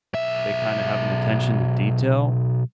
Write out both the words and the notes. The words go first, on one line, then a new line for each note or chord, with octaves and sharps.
they kinda have an attention to detail,
B1 E5